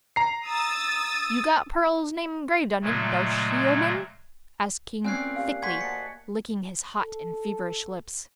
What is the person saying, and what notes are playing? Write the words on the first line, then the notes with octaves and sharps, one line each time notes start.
"You got Pearl's name 'graved on it, Darcy, ole man?" asked King, thickly, licking his hot and feverish lips.
A#5 C7
D#6 E6 A6
A#2 C#3 F#3 G#3 A3
A#2 C4 C#4 G#5 F#6 C7
G4 F5
F#4 C5 F#5 G#5 C6 G#6 B6
D#5 A5 C#7
A4